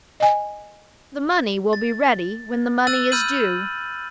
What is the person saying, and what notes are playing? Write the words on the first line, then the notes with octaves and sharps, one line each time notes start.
The money will be ready when the money is due.
D#5 G#5
A6
E6 F#6 A6 D#7 F#7
B5 E6 F6 G6 D#7 F#7